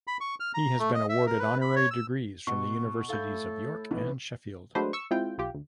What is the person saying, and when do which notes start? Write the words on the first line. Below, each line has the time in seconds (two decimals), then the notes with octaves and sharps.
He has been awarded honorary degrees from the Universities of York and Sheffield.
0.07 B5
0.21 C#6
0.40 F6
0.54 A#5
0.79 A3
0.94 D#5
1.09 E5
1.26 A#4
1.39 B4
1.61 B5
1.76 C#5
1.91 E6
2.47 B2 F#5 C#6
3.09 A2 E4 A4 F5 G6
3.91 B1 E3 B3 B4 D#5
4.75 F#3 G#3 A3 D4 B4 C5
4.93 C#6 E6
5.11 G#3 C4 E4 F4 G5
5.38 B1 F4 G4
5.54 D2